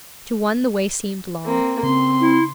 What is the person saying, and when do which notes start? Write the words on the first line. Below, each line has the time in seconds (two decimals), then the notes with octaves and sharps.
To one the way seemed long.
1.45 A#3 C4
1.83 C#3 C4 C6
2.21 E4